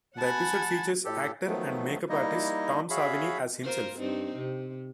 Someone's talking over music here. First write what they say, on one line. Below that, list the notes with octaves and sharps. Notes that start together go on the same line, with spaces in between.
The episode features actor and makeup artist Tom Savini as himself.
F#5 G#5 A5 B5
A2 G4 A4
D#3 F3 F#3 A3 B3
G3 A#3 D#4 E4 D#5
F#4 G#4 C#5 E5 F5 B5
F4 A#4 C5
G2 C4 D#4
C3